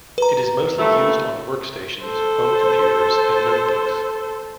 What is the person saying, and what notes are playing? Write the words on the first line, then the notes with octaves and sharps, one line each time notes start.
It is mostly used on workstations, home computers, and notebooks.
B4 A#5
G2 A#2 A3
A4 C5